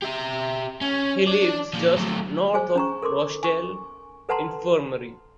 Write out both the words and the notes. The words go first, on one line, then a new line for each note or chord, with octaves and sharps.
He lives just north of Rochdale Infirmary.
G4 E5
C#4
D4 D5
F3 A#3
F#3 A3
G#4 C5 G#5
C#4 A#5 C#6
A4 A#4 C6 D6
G#5 C#6
A4 B4 F#5 A5 A#5 C6